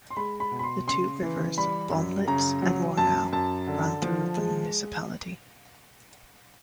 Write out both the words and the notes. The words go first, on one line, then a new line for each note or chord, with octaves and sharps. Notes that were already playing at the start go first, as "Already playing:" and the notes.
The two rivers, Bomlitz and Warnau run through the municipality.
C6
G#3 B5
B5
B2
B5
C6
C#3 C6
E3
G3 B5
F#2
C#3 A#5
F#3
F#2 A5
F#2 A5
D3
F3
G#3